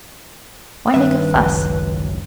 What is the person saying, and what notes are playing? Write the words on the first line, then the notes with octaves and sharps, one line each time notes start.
Why make a fuss?
G2 D#3 B4 E5
G#1 C#2 F#2